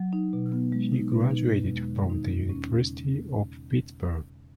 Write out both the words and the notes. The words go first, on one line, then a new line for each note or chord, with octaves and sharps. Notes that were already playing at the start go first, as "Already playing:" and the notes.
He graduated from the University of Pittsburgh.
Already playing: F#3
D#4
B2
B3
G#3
D#4
B2
D#4
E2
G#3
D#3
D#4
E2
C#4
C#3